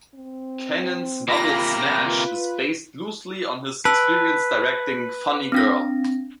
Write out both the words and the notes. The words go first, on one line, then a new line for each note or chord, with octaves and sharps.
Kanin's novel "Smash" is based loosely on his experience directing "Funny Girl".
C4
C3 A#3 F4 B5 A#6
F4 B4
B4 A5 E6
C4 D4 A#6